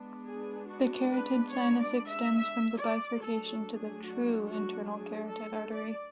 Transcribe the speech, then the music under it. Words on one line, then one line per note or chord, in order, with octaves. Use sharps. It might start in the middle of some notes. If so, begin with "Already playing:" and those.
The carotid sinus extends from the bifurcation to the "true" internal carotid artery.
Already playing: G#3 B3 D4
G#4
F#4
B4
C#5
D5
E5
E5
D5
F#3 A3 D4 A4
A4
G#4
F#4
F#4
G#4
A4
D5